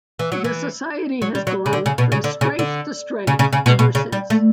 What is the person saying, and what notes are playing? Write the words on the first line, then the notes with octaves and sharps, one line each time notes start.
The society has gone from strength to strength ever since.
E3
F#3
E3
F#3
G3
F#3
C#3
D3
C#3
B2
C#3
D3
C#3
D3
C#3
C#3
C#3
B2
B2
C#3
G3
A3